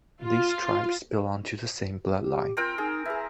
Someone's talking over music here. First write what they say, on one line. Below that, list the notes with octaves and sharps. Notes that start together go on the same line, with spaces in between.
These tribes belong to the same blood line.
F4
G4
C4 F4 A#4 G5
D#4 G#4
E4 G#4 B4